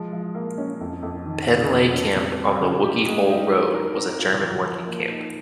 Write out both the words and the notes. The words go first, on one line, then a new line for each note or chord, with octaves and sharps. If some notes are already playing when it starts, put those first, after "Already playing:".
Penleigh Camp on the Wookey Hole Road was a German working camp.
Already playing: F3 G#3
F3
A#3
C#4
F2
F2
D#3
A#3
F2
C#4
C3
G3
C#3
G4
G#3
D#4
G3
A#4
C4
F4
F3
F3
A#3
D#4